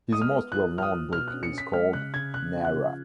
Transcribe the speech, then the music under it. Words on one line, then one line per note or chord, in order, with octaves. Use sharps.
His most well-known book is called "Nara".
G#3 D#6
F6
B3
F3 F#6
F3
F6
D#6
F3
B2 F6
F#6
C#4
C#7
C#4
B6
G#3 F6
C#3 F#6
C#3 G#6
C#3 F#6
F3
F#6
C#3